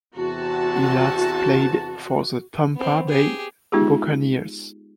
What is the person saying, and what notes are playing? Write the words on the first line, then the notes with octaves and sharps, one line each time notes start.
He last played for the Tampa Bay Buccaneers.
E2 C3 F#4 A5
B3 C4
G4 G#4
G#3 B3 D#4 F4 G4 G#4